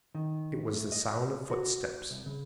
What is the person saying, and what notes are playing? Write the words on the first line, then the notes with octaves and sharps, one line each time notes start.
It was the sound of footsteps!
D#3
A3
D#5
F#4
C2
C#3